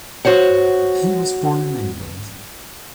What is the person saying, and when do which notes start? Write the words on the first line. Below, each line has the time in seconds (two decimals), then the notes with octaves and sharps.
He was born in England.
0.25 F#4 C5 C#5 F#5